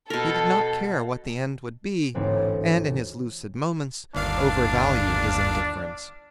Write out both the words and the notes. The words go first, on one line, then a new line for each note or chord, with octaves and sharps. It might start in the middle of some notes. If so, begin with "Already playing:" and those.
He did not care what the end would be, and in his lucid moments overvalued his indifference.
B2 A4 A#4
A1 D2 G#2 C4 B4
G1 D#2 D4 F5